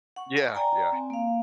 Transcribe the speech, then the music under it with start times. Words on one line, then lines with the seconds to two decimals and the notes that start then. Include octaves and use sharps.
Yeah, yeah.
0.16 F#5 C#6
0.55 D5 G5 G#5 A#5
0.92 C4
1.10 A#3 F5